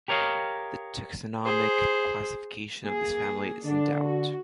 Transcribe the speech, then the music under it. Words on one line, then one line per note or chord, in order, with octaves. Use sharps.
The taxonomic classification of this family is in doubt.
G4 A#4 C#5 D#5 F5
G#4 C5
A#3 G#4
D3 D4
F#4